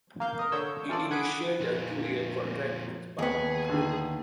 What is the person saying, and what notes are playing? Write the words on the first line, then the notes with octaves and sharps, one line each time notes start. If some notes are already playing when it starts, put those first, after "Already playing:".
He initialed a two-year contract with Pau.
A#3 F5 G6
A#4 D#5
D3 C#5 E6 G6
E3 F4 A4 D5
F#5 G#5 B5 D#6 F#6 D7
F2 A#2
D#2 B3 G#4
D3 D#3